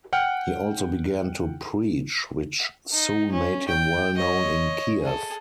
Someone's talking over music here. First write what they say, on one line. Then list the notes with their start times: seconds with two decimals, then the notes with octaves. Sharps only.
He also began to preach, which soon made him well known in Kiev.
0.13 F#5 G5 F6
2.93 D#4
3.32 C#4
3.68 G5
4.17 C#5 D#5
5.01 G#4 A4